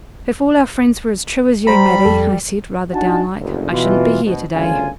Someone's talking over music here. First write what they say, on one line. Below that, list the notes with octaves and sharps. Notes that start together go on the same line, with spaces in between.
'If all our friends were as true as you, Maddie,' I said, rather down-like, 'I shouldn't be here to-day.'
G3 C5 A#5 B5
F2 A4
D4 D#4 F#4 G#5 A5
F#1 D2
B2 E3 F4
D2 B2
G1 D2 C#3 F4 G#5